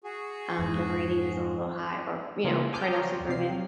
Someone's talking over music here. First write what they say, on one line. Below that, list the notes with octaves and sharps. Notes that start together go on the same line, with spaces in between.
um, the rating is a little high or, you know, parental supervision,
F#4 G#4
F2 G#2
C#3 A#3 F4 G#4
G#5 A5 D6 D#6 F6 G6
C#5 D5 G5 A#5 C6
C3 C4 G4 F5 C7
F#3